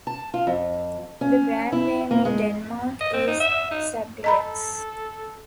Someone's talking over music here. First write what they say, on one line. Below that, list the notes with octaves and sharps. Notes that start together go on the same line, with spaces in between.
The brand name in Denmark is Sabrilex.
A5
F4
F2
C#4
E4
A#3
G#3
D#5
C4
D#4
E5
D#4
A4 D#5 A#5 B5